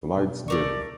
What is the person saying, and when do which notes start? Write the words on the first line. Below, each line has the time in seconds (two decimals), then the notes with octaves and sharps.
The lights dim.
0.17 B2
0.48 A3 A#4 D5 C#6